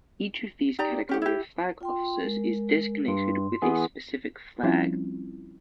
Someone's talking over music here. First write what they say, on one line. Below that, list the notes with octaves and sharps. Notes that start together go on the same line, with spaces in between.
Each of these category of flag officers is designated with a specific flag.
D#4 G4 D5 A#5
C#4 G4 F#5
E4 G4
F4 G5 C6
G#3 A#4
G2 C6
E3 B3 G#4
F3 G3 C4 C#4 E4 F4